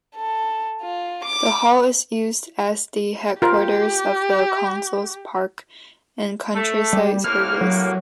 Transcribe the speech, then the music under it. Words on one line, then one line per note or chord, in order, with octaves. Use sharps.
The hall is used as the headquarters of the council's Parks and Countryside Service.
A4
F4
D6
F4 G4 A#4
A3
G3
A2 C3 A#3 F6
F#3